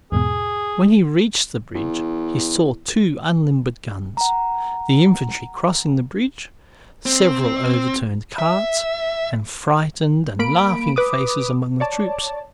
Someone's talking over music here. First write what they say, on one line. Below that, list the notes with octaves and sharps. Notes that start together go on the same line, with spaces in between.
When he reached the bridge he saw two unlimbered guns, the infantry crossing the bridge, several overturned carts, and frightened and laughing faces among the troops.
E2 G#2 B2 G#4
E2
F#5 A#5
C4
E5
A#3 B5 D7
B4 D6 D#6
C#5 D5 A5